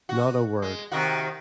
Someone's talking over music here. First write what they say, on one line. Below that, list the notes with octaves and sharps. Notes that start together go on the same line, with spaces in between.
Not a word.
F#4
G#3
C3 D#3 F#4